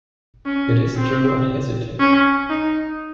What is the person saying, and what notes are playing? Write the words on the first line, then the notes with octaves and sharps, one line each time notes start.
It is true I hesitate.
C#4
C4
C#4
D#4